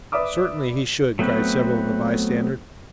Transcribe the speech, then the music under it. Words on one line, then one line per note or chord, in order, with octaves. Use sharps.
"Certainly he should!" cried several of the bystanders.
B4 D5 E5 D6 D#6
F#3 A3 B3 C4 B4